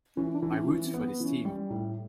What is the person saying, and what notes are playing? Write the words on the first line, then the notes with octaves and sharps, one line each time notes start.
I root for this team.
E3 C#4
D4
E3
C#4
E3 C#4
C4
B3
E3 C#4
G3
A2